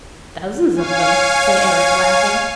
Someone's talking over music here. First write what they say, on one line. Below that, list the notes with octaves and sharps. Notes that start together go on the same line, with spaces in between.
"Thousands of them," said Eric, laughing.
C#5 F5 G#5